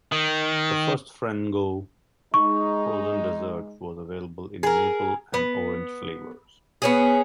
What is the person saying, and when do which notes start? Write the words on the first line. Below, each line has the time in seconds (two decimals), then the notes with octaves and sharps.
The first Frango frozen dessert was available in maple and orange flavors.
0.12 D#3
2.34 G#3 D#4 C#6
4.63 G#4 A#4
5.34 B3
6.82 B3 C#4 G#4